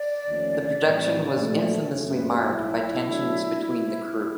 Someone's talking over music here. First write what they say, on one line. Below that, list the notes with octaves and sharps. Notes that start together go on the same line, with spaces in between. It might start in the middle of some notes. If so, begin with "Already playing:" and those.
The production was infamously marred by tensions between the crew.
Already playing: D5
D#2 D3 F3 A3 C#4
A2 E3 G3 C4 D#4
A#2 F3 A3
F#2 C#3 F#3 A3
B4
F#4
D#4
B1 A2 F#3 E4
D3 F#3 A3 D4